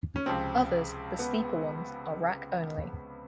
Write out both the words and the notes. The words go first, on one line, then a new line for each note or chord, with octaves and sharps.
Others, the steeper ones, are rack-only.
C#4
C#2 C3 F3 C4
B3